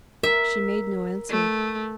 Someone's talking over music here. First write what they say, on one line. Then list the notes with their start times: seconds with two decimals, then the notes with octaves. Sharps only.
She made no answer.
0.23 A#4 E5
1.29 A3